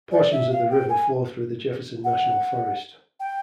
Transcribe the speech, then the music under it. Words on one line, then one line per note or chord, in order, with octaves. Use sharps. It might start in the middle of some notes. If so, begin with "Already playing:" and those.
Portions of the river flow through the Jefferson National Forest.
D5
E5
F5
G5
G#5
F#5
G5